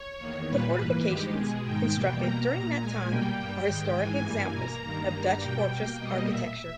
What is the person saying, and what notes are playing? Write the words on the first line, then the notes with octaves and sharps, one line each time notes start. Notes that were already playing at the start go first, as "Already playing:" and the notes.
The fortifications, constructed during that time, are historic examples of Dutch fortress architecture.
Already playing: C#5
E2 D#3 A#3
A#2 G3 A#3 B4
G#2 E3 A#3
G2 D#3 G#3 G4
B2 G#3 G#4
G#2 D#3 G#3 G5
E2 B2 G3 A#3
B2 A#3 A#5
A#2 A#3
A#2 G#3 G#5
B2 G3 A#3 G5
G2 G3 A#3
G#2 D#3 G#3 G5
G#2 E3 G#3 G#5
G2 E3 G3 A#3
B2 A#3 A#5
G2 D#3 A#3 A#5
G2 G3 A#3
B2 G3 A#3 G5
B2 A#3
B2 G3 A#3 D#5
A#2 A#3 E5